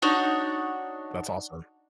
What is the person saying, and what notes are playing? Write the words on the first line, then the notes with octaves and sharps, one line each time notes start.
That's awesome.
D4 D#4 F#4 C#5